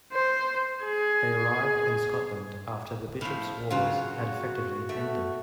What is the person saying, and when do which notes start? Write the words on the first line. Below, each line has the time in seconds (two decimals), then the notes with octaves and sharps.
They arrived in Scotland after the Bishops' Wars had effectively ended.
0.13 C5
0.84 G#4
3.21 A2 F3
3.70 C#3 F#3 F4 F#4
4.89 A3